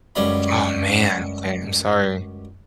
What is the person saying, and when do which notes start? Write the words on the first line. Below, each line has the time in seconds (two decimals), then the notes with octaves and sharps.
Oh, man. Okay, I'm sorry.
0.15 C#2 F#2 G3 C#4 F5 B5